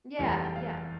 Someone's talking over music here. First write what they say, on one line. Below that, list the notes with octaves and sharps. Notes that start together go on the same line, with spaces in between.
Yeah, yeah.
F1 E2 E3 G3
G5
F5